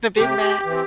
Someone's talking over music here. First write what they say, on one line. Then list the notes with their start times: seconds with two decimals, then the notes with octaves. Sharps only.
The Big Mac?
0.17 C3 G4
0.65 E3
0.70 C4